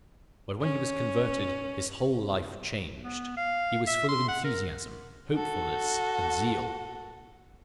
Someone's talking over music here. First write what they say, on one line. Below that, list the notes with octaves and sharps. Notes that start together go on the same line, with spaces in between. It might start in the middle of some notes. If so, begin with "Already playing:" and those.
But when he was converted his whole life changed: he was full of enthusiasm, hopefulness and zeal.
C#4
B3
F5
E5
C6
F#5
A#4
F#4 A4